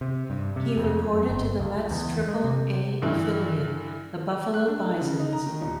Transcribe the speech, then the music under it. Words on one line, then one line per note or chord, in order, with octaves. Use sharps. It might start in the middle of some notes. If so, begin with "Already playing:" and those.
He reported to the Mets' Triple A affiliate, the Buffalo Bisons.
C3
G2
C3
F2
F#2
G1
C#2
E2
G#3
C3
G2 D3 E3
F#6
D4
D#4
C#3
D#4
A#5
D#3
D#1